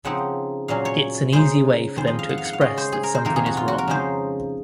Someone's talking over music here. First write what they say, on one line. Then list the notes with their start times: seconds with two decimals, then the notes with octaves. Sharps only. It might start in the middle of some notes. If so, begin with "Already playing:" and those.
It's an easy way for them to express that something is wrong.
0.05 C#3 F3 C4 D#4 F#5
0.68 A#2 F#3 C#4 F5
0.85 C#5
1.33 C#3 G#3 D#4 C5
1.96 F2 D#3 G#3 C5
2.07 D#5
2.19 F5
2.29 F#5
2.38 F5
2.45 F#5
2.53 F5
2.61 C#3 G#3 C#4 D#5
2.78 C5
2.92 G#4
3.03 A#4
3.15 C5
3.25 F2 C3 D#3 A#3 A#4
3.36 G#4
3.46 F#4
3.57 F4
3.68 F#4
3.78 A#4
3.88 C#3 F3 G#3 D#4 C5